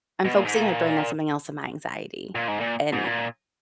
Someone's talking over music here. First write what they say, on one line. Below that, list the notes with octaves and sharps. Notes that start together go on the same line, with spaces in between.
I'm focusing my brain on something else than my anxiety, and
B2
A#2
G#2
A#2
A#2
G#2
A#2
G#2
A#2